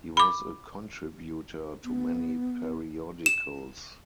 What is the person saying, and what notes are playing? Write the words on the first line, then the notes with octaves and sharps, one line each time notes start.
He was a contributor to many periodicals.
B5 D6
B3
E7